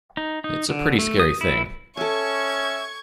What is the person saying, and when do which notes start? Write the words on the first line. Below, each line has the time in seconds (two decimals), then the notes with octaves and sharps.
It's a pretty scary thing.
0.17 D#4
0.44 D#4
0.69 D3
0.99 A3
1.20 D#6
1.41 E4
1.97 C#4 A4 E5 G#5 C#6 G#6